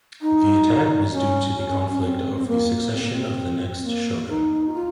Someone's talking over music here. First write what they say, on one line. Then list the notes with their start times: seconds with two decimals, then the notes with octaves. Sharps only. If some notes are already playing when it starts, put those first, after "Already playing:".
The attack was due to the conflict of the succession of the next Shogun.
0.21 D#4
1.12 C#4
1.92 C#4
2.03 C4
2.36 C4
2.48 A#3
2.93 C4
3.02 A#3
3.12 C4
3.83 A#3
4.28 D#4
4.69 F#4
4.73 F4